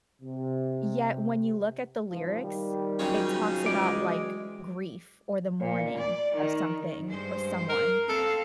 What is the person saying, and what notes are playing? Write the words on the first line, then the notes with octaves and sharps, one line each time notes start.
yet when you look at the lyrics, it talks about, like, grief or the mourning of something or someone,
C3
C2 G#2 F3
D#3 G3
C#3 F3 F#3 C4 D#4 C#5
C#2 E3 G#3 D5
A#2
D5
D#3
G2 G#3 C5
A#4
C4 A4 F5